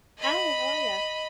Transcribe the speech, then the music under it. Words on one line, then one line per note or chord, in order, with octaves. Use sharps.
Hi. How are ya?
D#5 B5